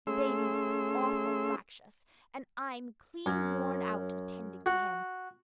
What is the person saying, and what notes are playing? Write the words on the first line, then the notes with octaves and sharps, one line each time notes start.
The baby's awful fractious, and I'm clean worn out attending to him.
A3 C#4 G#4 C6 E6
F#2
F#4